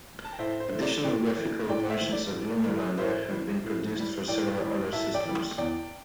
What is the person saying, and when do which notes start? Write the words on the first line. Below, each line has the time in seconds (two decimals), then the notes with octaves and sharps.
Additional graphical versions of "Lunar Lander" have been produced for several other systems.
0.25 A5
0.32 G5
0.39 A2 C5 E5
0.60 C5
0.72 E3 A3
0.82 D5
1.04 A2 D5 G5
1.37 E3 A3
1.68 A2 D5 G5
1.90 C5 E5
2.01 E3 A3
2.13 D5
2.33 A2
2.66 E3 A3
2.98 A2 C5 E5
3.31 E3 G3
3.64 A2
3.96 E3 G3
4.28 A2 D5 G5
4.60 E3 G3
4.93 A2 E5 A5
5.14 D5 G5
5.25 E3 G3
5.58 E2 D5 G5